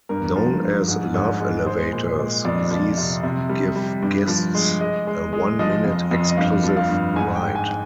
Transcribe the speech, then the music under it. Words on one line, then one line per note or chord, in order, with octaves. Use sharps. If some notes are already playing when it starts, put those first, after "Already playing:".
Known as Love Elevators, these give guests a one-minute exclusive ride.
G2 A#4
F3
G2
G#2
G#2
G#3
G#3 C5
A#2
G#3
F2 D5
F3
C3
C3
G3
G3
G2
F3
G#3
G#3 D#5
G#3
G#3
F3 D#5
F2
F2
D#5
G2 F5
F3
F5
G2
G#2 G#5
G5
G#2
G#5